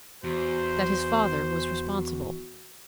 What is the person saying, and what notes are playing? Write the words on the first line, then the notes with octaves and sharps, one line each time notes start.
That his father was responsible.
E2 F#4 C5